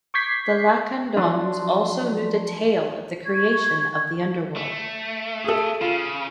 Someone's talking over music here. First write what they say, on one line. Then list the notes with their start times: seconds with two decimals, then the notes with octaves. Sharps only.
The Lacandons also knew the tale of the creation of the Underworld.
0.14 C#6 D6 G6 G#6 B6 C7
1.16 F3 F#3 D4
3.26 C#6 G#6
4.56 A3
5.44 G#4 A4
5.81 C#3 F4